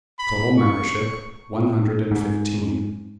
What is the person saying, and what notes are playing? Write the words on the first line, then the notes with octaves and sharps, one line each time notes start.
Total membership, one hundred and fifteen.
B5
C#6
G#2